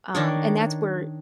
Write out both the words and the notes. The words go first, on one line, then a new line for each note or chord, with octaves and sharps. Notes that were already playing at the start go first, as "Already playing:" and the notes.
Um, and that's where
D#3 D4 C#5